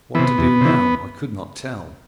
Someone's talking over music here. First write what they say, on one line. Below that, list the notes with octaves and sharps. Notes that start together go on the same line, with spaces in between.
What to do now, I could not tell.
C3 E3 B3
E2
C3 E3